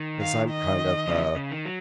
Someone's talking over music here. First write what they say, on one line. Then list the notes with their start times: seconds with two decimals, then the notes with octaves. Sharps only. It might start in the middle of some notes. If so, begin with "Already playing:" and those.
'cause I'm kind of a
Already playing: D#3
0.21 F5
0.50 D#5
1.08 C#3 F3
1.37 C#3
1.51 D#3
1.65 F#3